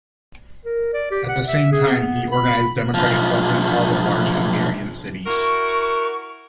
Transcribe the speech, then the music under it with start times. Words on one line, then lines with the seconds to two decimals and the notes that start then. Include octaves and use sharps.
At the same time, he organized democratic clubs in all the large Hungarian cities.
0.65 A#4
0.94 D5
1.11 G4
1.29 F#5
1.47 E5
1.72 G#4
1.90 B3
2.32 B5
2.94 B1 F3
5.26 E4 F#4 A#4 C#6